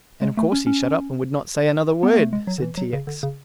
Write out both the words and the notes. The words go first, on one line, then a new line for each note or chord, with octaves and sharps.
"And of course he shut up and would not say another word," said T. X.
G#3
A3
C#4
C#4
B3
B3
A3
G#3
F#3
D3
E3
F#3
C#3
D3
C#3